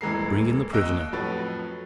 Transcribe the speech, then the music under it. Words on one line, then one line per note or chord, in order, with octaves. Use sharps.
"Bring in the prisoner."
D#1 E3 G#3 A#4 C7
D#2 D#5 E6 F#6 D7
F2 A2 F#3 B4 C#5 A6